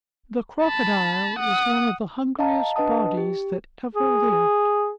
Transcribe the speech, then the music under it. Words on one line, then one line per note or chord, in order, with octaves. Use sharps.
The Crocodile is one of the hungriest bodies that ever lived.
A5 B5
F#5 D#6
D#5 F5 A5 A#5
D4 B4 D#5 F#5 A5 D#6
G4
G#4